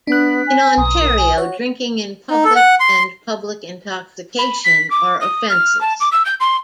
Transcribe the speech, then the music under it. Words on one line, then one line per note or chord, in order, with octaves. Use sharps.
In Ontario, drinking in public and public intoxication are offenses.
B3 D4 F#6 B6
G#5
B1 D#6
A#4
G#5
F#4 C#5
D#4
A4
F#5
C6
B5
B6
D6
D#6
F6
A5
D6
E6
G6
C6